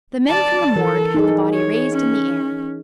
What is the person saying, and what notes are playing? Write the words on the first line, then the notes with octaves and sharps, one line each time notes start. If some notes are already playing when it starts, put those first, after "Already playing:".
The men from the morgue had the body raised in the air.
D5 A5
E3 A4 A#4
D#4 G#4
C#5
C#4